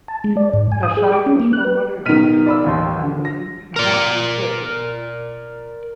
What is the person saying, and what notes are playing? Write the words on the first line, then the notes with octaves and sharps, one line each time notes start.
The site was formerly home to the Hartman Building and Hartman Theatre.
A5
G#3
D5
G#2
G#5
D#6
G#4
D6
C#4
A#3
F#6
B4
B1 D#3 F6 B6 D#7
D5 B5 E6
A1 D#2 C6
D3
A#6
A#4 D5